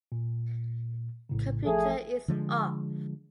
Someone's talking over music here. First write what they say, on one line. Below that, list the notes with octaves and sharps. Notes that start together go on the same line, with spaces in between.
Computer is off.
A#2
A#1 A2 C#3
A1 F3 A3 G#4 A4
D3 F3 G#3